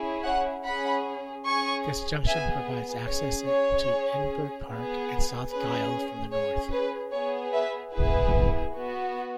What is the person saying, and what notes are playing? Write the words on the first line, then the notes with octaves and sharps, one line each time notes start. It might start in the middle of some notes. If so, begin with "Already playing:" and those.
This junction provides access into Edinburgh Park and South Gyle from the north.
Already playing: C#4 E4 G#4
C#5 F#5
C#4 G#4 F#5 B5
C#4 G#4 G#5 C#6
B3 G#4 E5 G#5
C#4 G#4 C#5
C#5
C#4 G#4
B3 G#4
C#4 G#4 B4
C#4 G#4 C#5
B4
B3 G#4 C#5
B4 E5
B3 E4 G#4 B4
B3 F#4